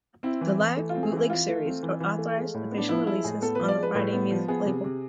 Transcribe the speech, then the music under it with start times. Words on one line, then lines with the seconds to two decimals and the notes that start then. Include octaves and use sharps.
The Live Bootleg Series are authorized, official releases, on the Friday Music label.
0.23 C4 E4
0.41 E3
0.59 E3
0.77 A3
0.89 F4
0.95 C4
1.03 G#4
1.12 E3
1.17 E4
1.30 E3 F4
1.48 A3
1.66 C4
1.83 E3
2.00 E3
2.18 A3
2.37 G#3
2.54 A2
2.71 B3
2.78 D4
2.89 F3 E4
3.06 G#3 E4
3.24 A2 G#4
3.42 B3 A4
3.55 F3 B4
3.68 D5
3.78 G#3 B4
3.95 A2 B4
4.13 B3
4.31 F3
4.48 B3 G#4
4.65 C3
4.84 C3